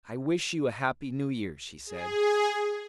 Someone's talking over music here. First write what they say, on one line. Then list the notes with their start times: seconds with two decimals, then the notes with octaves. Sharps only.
"I wish you a happy New Year," she said.
1.86 G#4